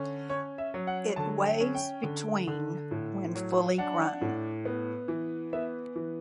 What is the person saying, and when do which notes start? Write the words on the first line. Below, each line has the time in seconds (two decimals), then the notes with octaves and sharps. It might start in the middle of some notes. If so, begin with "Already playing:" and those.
It weighs between when fully grown.
Already playing: D3 C#4
0.29 C#4 C#5
0.58 E5
0.74 F#3
0.87 F#5
1.16 D3 A5
1.46 G5
1.60 C#4
1.75 G5
2.03 D3
2.48 D3
2.91 A2
3.35 F#3
3.78 D4 F#5
4.21 A2
4.65 B3
5.08 E3
5.53 B3 E5
5.96 E3